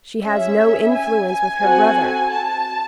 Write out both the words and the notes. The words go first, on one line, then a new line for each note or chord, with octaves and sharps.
"She has no influence with her brother."
C#4 G#4 E5
G#5
G#5
C4 F#4 A4
A5